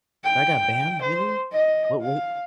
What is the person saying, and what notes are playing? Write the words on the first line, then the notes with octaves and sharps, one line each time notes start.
That got banned, really? What wa
G5
C5
D#5
F5